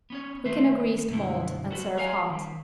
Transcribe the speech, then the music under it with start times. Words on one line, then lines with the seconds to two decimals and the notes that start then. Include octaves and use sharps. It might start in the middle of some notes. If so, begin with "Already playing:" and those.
Cook in a greased mold and serve hot.
0.10 B3 C#4 C#5
0.46 D#3 A3 C5 E5
1.09 F#2 B2 D3 A3 E4
1.71 F#4 A4 B4 C5
1.98 A#4 C#5 F5 G5 G#5 A#5
2.30 D#3 G3